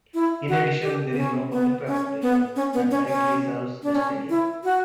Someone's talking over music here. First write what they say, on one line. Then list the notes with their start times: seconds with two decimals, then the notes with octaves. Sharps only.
In addition, there is no public transportation that directly serves the stadium.
0.14 E4
0.48 F#4
0.82 G4
1.12 B3
1.18 C#4
1.52 B3
1.87 C#4
2.22 B3
2.56 C#4
2.73 B3
2.91 C#4
3.07 C#4
3.83 D4
3.95 C#4
4.30 E4
4.64 F#4